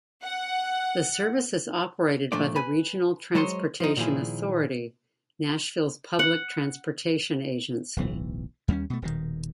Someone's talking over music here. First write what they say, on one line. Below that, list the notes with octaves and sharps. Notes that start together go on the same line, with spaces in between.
The service is operated by the Regional Transportation Authority, Nashville's public transportation agency.
F#5
A#2 F3 A3 D4 C5 D5
B4 G#5 B5
F#3 G#3 C5 C#5 D#5 C6
F3 D#4
A#2 D#3 F3 E4 G#4
F#5
D1 B1 E3
D#2 G3 B3 C#4
B2 A3
D#1 B2 D#3